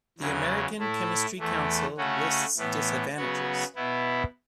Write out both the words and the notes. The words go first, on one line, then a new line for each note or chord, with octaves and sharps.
The American Chemistry Council lists disadvantages.
E2 C#3 F#3
A2 A3 E4
E2 E3 A3
C#3 A3 C#4 F#4
A2 E3 B3
C#3 F#3 B3 F#4
B2 B3 E4